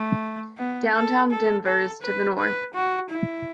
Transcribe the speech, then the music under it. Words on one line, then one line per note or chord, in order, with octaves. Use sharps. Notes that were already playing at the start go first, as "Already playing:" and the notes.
Downtown Denver is to the north.
Already playing: A3
B3
A4
A4
A4
B4
B4
F#4
E4